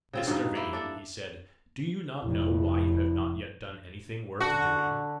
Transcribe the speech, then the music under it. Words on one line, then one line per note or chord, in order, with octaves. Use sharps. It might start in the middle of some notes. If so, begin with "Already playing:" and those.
"Mr. Vane," he said, "do you not know why you have not yet done anything worth doing?"
C#3 C4 F4
G2 B2 D#3 D#4
A#3 E4
D4 A4
F1 E4
D3 F#4 A5